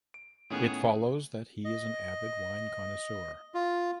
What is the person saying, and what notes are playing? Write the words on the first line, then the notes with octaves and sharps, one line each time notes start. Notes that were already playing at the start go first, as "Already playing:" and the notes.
It follows that he is an avid wine connoisseur.
D7
A2 D#3 B3 C#4 G#4
D#5
F4